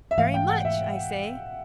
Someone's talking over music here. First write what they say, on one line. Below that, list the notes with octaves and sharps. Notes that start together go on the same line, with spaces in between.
"Very much," I say.
E5
G#2 E3 A3 F5
G5
F#5
E5